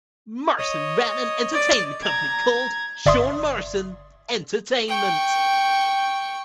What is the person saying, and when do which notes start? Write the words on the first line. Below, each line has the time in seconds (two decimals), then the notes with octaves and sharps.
Morrison ran an entertainment company called Sean Morrison Entertainment.
0.59 C#5 D#5 D#6
1.53 D5
2.02 A#5 G#6
3.06 G1 D5 E5 C6 D#6
4.88 G5 C#6